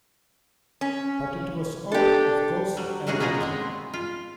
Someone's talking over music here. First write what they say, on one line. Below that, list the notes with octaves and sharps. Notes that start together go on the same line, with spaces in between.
But it was all, of course, an act.
C#4
D4 G4 A4
F#3 G3
D#3 A3 C#4 D4 F#4 G#4
A#3 B3 F4 G#4 A#4
G#3 B3 C4
F4